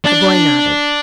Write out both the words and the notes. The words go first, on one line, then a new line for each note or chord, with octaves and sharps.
The boy nodded.
D4